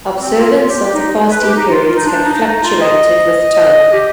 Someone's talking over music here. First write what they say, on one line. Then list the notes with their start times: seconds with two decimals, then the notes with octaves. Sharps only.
Observance of the fasting periods have fluctuated with time.
0.19 C4
0.38 F4
0.56 F4
0.69 G4
0.81 G4
0.93 D#4
1.31 B4
1.43 G4
1.56 D#4
1.69 F4
1.87 F4
1.96 D#4
2.06 D4
2.25 D#4
2.44 D#4
2.63 F4
2.80 D#5
3.55 D#5
3.92 G4